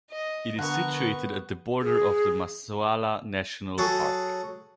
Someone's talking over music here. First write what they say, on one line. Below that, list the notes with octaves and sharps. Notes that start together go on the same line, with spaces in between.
It is situated at the border of the Masoala National Park.
D#5
D3 B3 A#4 F#5 C#6
G#4
F#3 F#4 G#4 A4